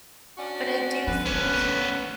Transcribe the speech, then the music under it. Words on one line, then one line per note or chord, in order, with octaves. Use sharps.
but I do think
C#4 D4 F#4
D3 F3 B4
A3 B3 C#4